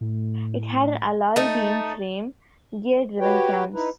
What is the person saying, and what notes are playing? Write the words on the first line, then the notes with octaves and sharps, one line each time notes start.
It had an alloy beam frame, gear driven cams.
A2
A3 D#4 A6
F#4 G4 B4 C#5 G5
D#4 E4 B4